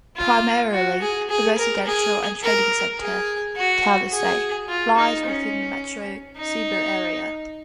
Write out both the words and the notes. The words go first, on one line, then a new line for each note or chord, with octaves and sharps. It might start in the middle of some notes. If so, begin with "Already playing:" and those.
Primarily a residential and trading center, Talisay lies within the Metro Cebu area.
F4
F#4
G#4
G#4
A#4
G#4
A#4
G#4
F#4
G#4
F4
D#4
C#4
D#4